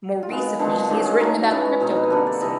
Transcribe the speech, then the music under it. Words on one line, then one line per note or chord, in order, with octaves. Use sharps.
More recently, he has written about cryptocurrency.
F4
D#3 G#3 B3 F#4
D3 F3 G#3 C4
D#3 G#3 C#4 G4
G#4
D#3 F#3 A3 A#4
E3 G#3 C#4
B2 G#3 C4 D#4
B4
D3 G3 A#3 A4
D5
C3 E3 G3 D#5